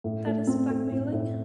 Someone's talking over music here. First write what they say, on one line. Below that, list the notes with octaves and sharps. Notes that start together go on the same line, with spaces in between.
That is blackmailing.
A2
A3
C4
A3
A2
A2